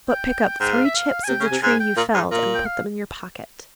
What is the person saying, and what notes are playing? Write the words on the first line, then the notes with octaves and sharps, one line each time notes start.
But pick up three chips of the tree you felled, and put them in your pocket.'
G5
G#2 G5
F5
E5
F5
G#5
C3 G5
C#3
G#5
C3
G#2 G#5
G5
A#2
G#2
A#2
G5
F5